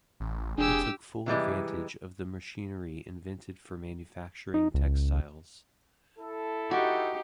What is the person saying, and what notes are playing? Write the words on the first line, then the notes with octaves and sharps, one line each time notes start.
He took full advantage of the machinery invented for manufacturing textiles.
A1
F1 D4 G4 G#4 E6
C3 E3 G3 G#3
D#4
C#2
E4 A4
D#4 F#4 G4